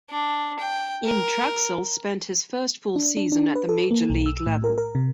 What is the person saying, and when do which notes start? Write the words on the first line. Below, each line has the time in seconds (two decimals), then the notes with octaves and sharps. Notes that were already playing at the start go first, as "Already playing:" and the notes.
In Trachsel spent his first full season at the Major League level.
0.10 D4
0.59 G5
1.05 A#4
2.96 D4
3.17 D4
3.32 D4
3.55 B4
3.69 A4
3.91 A#3
4.10 B1
4.26 E6
4.46 A2
4.64 A#4
4.78 A#4
4.95 C3